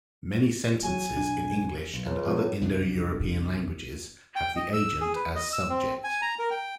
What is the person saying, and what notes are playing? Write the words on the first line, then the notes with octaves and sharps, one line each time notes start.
Many sentences in English and other Indo-European languages have the agent as subject.
F#3 G#5
B1 D4
B1
C#2
B2 F3
C2 F2 F3 D4
G5
D#5
E6
G#4
B4
D#5
E6
C4
G#5
A#5
A#4
G5